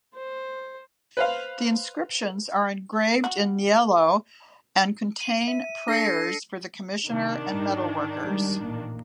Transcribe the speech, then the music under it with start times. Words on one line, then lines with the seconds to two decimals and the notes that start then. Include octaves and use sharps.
The inscriptions are engraved in niello and contain prayers for the commissioner and metalworkers.
0.15 C5
1.17 B4 C5 F5
3.24 F#4
5.20 D#7
5.48 E5
5.88 D4 A4 A#6 C7 C#7
7.07 C3 D#3 D4
7.54 G#2
8.24 G3 G#3
8.60 A1 A#2 A#3